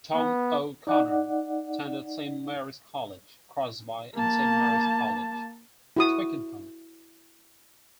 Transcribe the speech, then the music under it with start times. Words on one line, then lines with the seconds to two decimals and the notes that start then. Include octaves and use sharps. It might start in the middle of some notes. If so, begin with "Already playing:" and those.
Tom O'Connor attended Saint Mary's College, Crosby and Saint Mary's College, Twickenham.
0.14 B3
0.87 D#4 D5 F#5
4.14 A#3 A5
5.97 E4 F#4 D#6